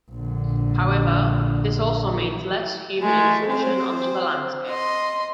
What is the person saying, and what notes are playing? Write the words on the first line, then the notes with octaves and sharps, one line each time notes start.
However, this also means less human intrusion onto the landscape.
A#1 D3
G#3 A3
C4 C5
D#5 C6